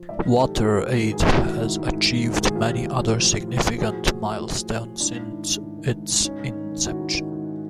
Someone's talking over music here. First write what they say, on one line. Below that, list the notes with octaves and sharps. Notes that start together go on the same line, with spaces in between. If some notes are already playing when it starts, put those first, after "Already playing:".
WaterAid has achieved many other significant milestones since its inception.
Already playing: F3
G#2 D5 E5
D#3
D#3 G4 A4
G#2 F#4 G#4
G#2
G#2
D#3
G#2 G#4
G4
D#3 E4 F#4
D#3
G#2
G#2
G#2
D#3
G#2
D#3 G#4
F3 F4 G4
A2
F3
F3
A2
A2
A2
A2
F3 F#4 G#4
A2
A2
A2
F3
A2
A2
A2
G#2 D4 E4
G#2
D#3
G#2
G#2
D#3
G#2
G#2
G#2 C#4 D#4
G#2
D#3
D#3
D#3 E4 F#4
G#2
D#3
G#2